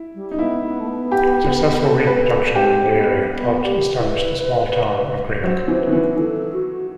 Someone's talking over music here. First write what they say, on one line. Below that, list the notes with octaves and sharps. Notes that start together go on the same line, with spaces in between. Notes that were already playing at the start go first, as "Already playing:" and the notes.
Successful wheat production in the area helped establish the small town of Greenough.
Already playing: E4
G3
D#4
B3 E4
B3
A3
B3
G4
A4
B4
A4
C4 G4
B3
B3
G4
A4
E4 B4
F#3 C5
E3
B4
D#3
E3
E3 A4
F#4